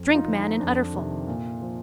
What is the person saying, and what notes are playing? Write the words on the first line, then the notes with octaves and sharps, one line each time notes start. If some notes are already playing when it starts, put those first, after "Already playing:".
Drink, man, an udderful!
Already playing: F2
D#4
F4
D3 F3
D#4
F2 D4
C3 D#3
A#2
F3